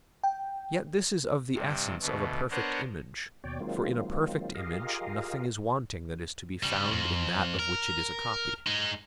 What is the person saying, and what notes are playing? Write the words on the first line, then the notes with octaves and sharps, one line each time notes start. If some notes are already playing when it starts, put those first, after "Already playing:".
Yet this is of the essence of a perfect image; for in a perfect image nothing is wanting that is to be found in that of which it is a copy.
G5
G2 C3
D2 B2
B3 D4 A#4 C5 C#5 F#5
D#2 B2 C#5 D5 G5
D#3 F#3 G#3 A#3 C4 F4
F4 G4 G#4 A#4 D#5 F5
C#3 G3
F2
A#4
G#3 D#4